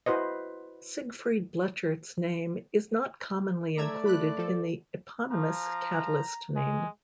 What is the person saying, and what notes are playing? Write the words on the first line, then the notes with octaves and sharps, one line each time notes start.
Siegfried Blechert's name is not commonly included in the eponymous catalyst name.
E4 F#4 B4 C5 D#5
A3 D5 A#5 E6 G#6
B5 F#6
F3 A4
F3 A#5
G#3 G#5